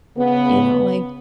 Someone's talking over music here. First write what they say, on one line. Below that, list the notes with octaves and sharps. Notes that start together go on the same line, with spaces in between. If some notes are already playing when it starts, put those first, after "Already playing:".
you know, like,
C#3 B3